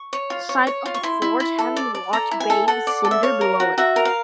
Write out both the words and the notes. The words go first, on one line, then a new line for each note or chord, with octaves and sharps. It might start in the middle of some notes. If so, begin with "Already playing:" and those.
The site of a forge having a large bay with cinder below it.
Already playing: C#6
C#5
F4
C#5
C#5
F4
C#6
E4 C6
E4
E4
A4
D5
D5
A4 A#5
E4
G#5
A4
A4 F#5
D5
A4
E5
C#5 F5
A#4
F#4
F#4 E5
A#4
F5